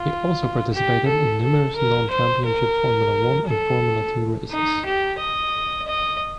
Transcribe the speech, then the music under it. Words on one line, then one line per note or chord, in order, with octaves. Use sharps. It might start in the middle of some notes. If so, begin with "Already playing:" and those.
He also participated in numerous non-Championship Formula One and Formula Two races.
Already playing: F4
G4
A4
A4
A#4
C5
A#4
A4
D#4
G4
D#5
D#5